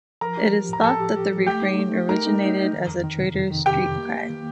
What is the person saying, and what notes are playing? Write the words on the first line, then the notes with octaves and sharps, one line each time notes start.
It is thought that the refrain originated as a trader's street cry.
F3 A#4 A#5
G4
F3
A2 A#5
F3 A4 A5
G4
G4
F3
A3 G4 G5
D#4
A3
A3
D#4 A#4 A#5
D#4
D#4
D#4
D#3
F2
D#3
C3
F2
D#3
C3 G4 G5
F2
A#3
A#3
D#3